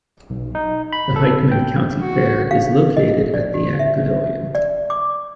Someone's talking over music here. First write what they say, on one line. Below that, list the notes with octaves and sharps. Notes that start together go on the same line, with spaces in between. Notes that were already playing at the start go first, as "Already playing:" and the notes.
The Hickman County Fair is located at the Ag Pavilion.
B1
D#4
B5
A4
G5
F#4
F5
D#5
D5
F#4
E5
D5
D6